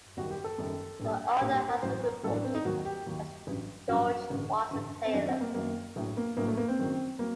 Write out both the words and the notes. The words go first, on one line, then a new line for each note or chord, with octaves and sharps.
The author has been reported as George Watson-Taylor.
F#1 F#2 D#3 G3 F#4
G4
A4
F#1 F#2 D#3 G3
A#1 A#2 G3
A#1 A#2 G3 G4
G4
A#4
A1 A2 F#3 C5
A#4
A1 A2 F#3 A4
D4
C4
D#4
D#2 D#3 F#3 F#4
G4
D#2 D#3 F#3
A1 G2 F#3
A1 G2 F#3 F#4
A1 G2 D3
A1 G2 D3
C4
F#2 D#3 F#3 D4
C4
A#3
F#2 D#3 F#3 A#3
A#1 A2 F#3
A#3
A#1 A2 F#3 A#3
A3
A#3
C4
F#1 F#2 D#3 F#3
F#3 A#3